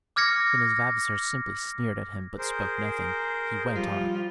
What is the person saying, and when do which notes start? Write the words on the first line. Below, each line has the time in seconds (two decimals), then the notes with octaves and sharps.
Then, as Vavasor simply sneered at him, but spoke nothing, he went on.
0.16 D6 F6 G#6 A#6 C#7
2.38 G#4 A#4 C5
3.73 F3 G3 F4